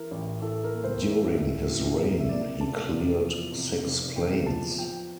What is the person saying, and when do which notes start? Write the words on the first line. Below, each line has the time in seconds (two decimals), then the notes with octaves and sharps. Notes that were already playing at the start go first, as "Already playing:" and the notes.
During his reign he cleared six plains.
Already playing: E3 A#4
0.11 A1
0.42 A2 A4
0.64 A#4
0.74 A#3
0.84 C5
1.05 E3
1.36 A1
1.67 A2
1.98 A#3
2.20 E5
2.29 C3 D5
2.60 F1 A5
2.91 E2
3.23 F3
3.53 C3
3.85 F1
4.16 E2 G5
4.46 F3 A5
4.78 F3 G5